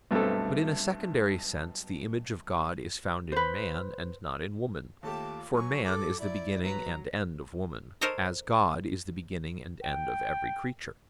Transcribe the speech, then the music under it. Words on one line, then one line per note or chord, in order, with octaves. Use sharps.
But in a secondary sense the image of God is found in man, and not in woman: for man is the beginning and end of woman; as God is the beginning and end of every creature.
B1 G2 A3 C4 A4
B4 C5
D#2 A3 F4 G4 A5 D6
F#3 G#5 C#6
A4 D6
E4 D5
F#3 B4 A#5
A4 A#4 C5 C#5 D#5 A#5
G5